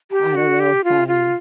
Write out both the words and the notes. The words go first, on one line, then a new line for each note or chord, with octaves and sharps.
I don't know if I'm
G4
F#4
G4
F4
F4